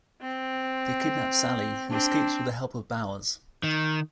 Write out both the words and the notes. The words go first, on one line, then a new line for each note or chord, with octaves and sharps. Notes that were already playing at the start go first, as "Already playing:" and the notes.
They kidnap Sally, who escapes with the help of Bowers.
C4
C4 D4
D#3